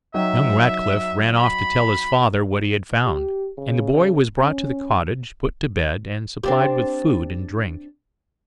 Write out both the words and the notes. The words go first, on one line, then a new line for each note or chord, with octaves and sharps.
Young Ratcliff ran off to tell his father what he had found; and the boy was brought to the cottage, put to bed, and supplied with food and drink.
F#3 D#4 E5 G5
B5
G4
C#3
C#4
C4 D4 G4